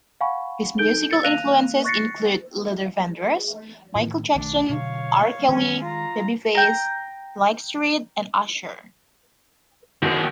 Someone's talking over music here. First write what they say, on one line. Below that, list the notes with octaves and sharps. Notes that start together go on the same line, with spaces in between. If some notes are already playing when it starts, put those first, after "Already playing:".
His musical influences include Luther Vandross, Michael Jackson, R. Kelly, Babyface, Blackstreet and Usher.
F5 F#5 G#5 B5 C#6
D#4 A4 G6 D7 G7
E6 A6 C#7
F5 F#6 A#6 D#7 F7
C#6 F#6 A6 A#6 C7 C#7
A2 D#3
B1 D#3 A3 D4
B2 D3 F#3 C#5 F5
D#3 G#3 C#4 C#5
F4 A#5
G5 A#5
D#2 A#3 E4 F#4 G#4